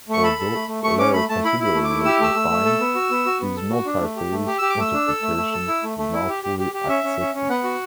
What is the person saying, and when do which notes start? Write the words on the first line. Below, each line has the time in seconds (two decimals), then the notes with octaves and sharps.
Although later considerably refined, his multi-phase interpretation is now fully accepted.
0.09 A3 C#6
0.23 A4 B5
0.39 A4
0.54 A3
0.68 A3
0.84 A3 C#6
0.99 C#4 D6
1.14 A3 B5
1.29 A3 A5
1.45 E4 B5
1.59 E4 B5
1.75 A3
1.84 D6
1.89 E4
2.05 G4 E6
2.20 A3 E6
2.34 A3
2.50 A3
2.65 A4
2.80 B3
2.95 F#4
3.10 B3
3.26 F#4
3.40 B3
3.56 A4
3.71 F#4
3.86 D4
4.01 A3
4.16 G4
4.31 A3
4.46 G4
4.58 G4 E6
4.70 D6
4.77 A3 E6
4.93 D4
5.08 A4
5.22 A3
5.37 A3
5.53 A4
5.68 E4
5.83 A3
5.98 A3
6.13 E4
6.29 G4
6.43 G4
6.58 G4
6.74 G4
6.88 C#4 E5
7.03 C#4
7.19 C#4
7.34 C#4
7.49 B3 F#5
7.64 F#4